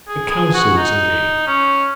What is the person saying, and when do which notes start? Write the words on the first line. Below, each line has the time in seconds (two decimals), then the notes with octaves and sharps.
A counsel is engaged.
0.08 G#4
0.30 G#4
0.54 F#4
0.77 D#4
1.47 C#4